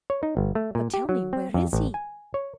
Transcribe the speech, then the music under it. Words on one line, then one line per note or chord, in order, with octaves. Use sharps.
But tell me where is he?
C#5
D#4
G1
A3
A#2
G4
F#3
C4
F2
A1
G#5
C#5